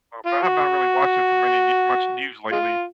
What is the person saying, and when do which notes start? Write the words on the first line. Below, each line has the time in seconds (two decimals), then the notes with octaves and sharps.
Uh, but I have not really watched it for many ne much news lately.
0.26 F4
0.42 F#4
2.52 G#3 F4